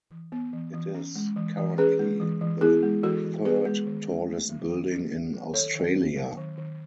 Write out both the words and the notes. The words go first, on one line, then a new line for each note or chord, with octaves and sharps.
It is currently the third tallest building in Australia.
E3
B3
E3
E3
C#4
G#3
E3
E3
C#4 G#4 B4
G#3
E3
E3
B3 E4 G#4
G#3
E3 F#4 A4
E3
B3 G#4 B4
G#3
D#3
C#4
A3
F#3
D#3
C#4
A3
F#3
D#3 A4 C#5
D#3
B3
F#3
D#3
D#3